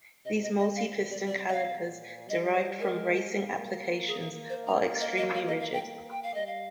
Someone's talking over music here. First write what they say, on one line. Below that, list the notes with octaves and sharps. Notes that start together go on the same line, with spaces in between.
These multi-piston calipers derived from racing applications, are extremely rigid.
C3 D#5
D#5
D#5
C3 F5
D5
D5
D#5
F5
A#2
G3 D#5
C5
G#3 A#4
A#3
G#4
A#3
C5
A#5
D#5
D#5
F5
D#5
F5
G5
A#3
G5
F5
G3 D#5
F5